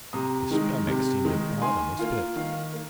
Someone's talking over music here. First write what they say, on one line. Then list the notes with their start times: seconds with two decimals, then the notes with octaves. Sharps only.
His stomach seemed a bottomless pit.
0.13 C3 A#5 D#6
0.51 D#3 G#3 D#4
0.87 C3
1.24 D#3 G#3 D#4
1.61 D#3 G#5 C6
1.99 A#3 F4
2.36 D#3 F5
2.73 A#3